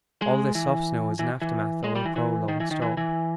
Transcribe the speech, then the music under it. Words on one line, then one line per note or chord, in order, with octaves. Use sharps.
All this soft snow is an aftermath of our prolonged storm.
G#3
E3
E3
E3
G#3
G3
E3
E3
D#3
E3
D#3
E3
E3